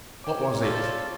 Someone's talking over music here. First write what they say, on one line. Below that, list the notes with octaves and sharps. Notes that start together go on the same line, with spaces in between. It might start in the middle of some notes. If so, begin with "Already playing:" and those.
"What was It?"
E4 C#5 G5 D6
F3 F4 A4 D5 E6